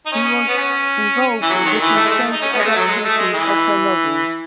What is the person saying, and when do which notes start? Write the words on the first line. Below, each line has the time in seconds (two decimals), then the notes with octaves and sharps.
He was involved with the stage adaptations of her novels.
0.06 D#4
0.12 C#4
0.48 B3
0.58 C#4
1.42 E3
1.50 F#3
1.65 D#3
1.81 E3
1.96 A3
2.05 G#3
2.11 A3
2.32 D#4
2.42 C#4
2.53 B3
2.59 G#3
2.65 A3
2.76 F#3
2.88 G#3
3.04 A3
3.18 G#3
3.34 E3